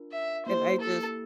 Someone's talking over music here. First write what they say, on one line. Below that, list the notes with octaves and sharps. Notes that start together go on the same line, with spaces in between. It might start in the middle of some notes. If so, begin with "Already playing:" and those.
and I just
Already playing: D4 F4 A#4
E5
A#3 E4 G4 C5
A4